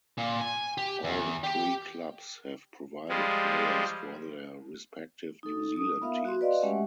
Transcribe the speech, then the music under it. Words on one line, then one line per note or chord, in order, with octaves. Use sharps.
All three clubs have provided players for their respective New Zealand teams.
A#2
G#5
G4
E2
G4
F3 G3 G#3
D#4 A4
D#6
B3 F4 A#4 E5 F5
F#4 C6
B4 D5 D#5 F5
G#3 A3 C#4 G4 E5 F#5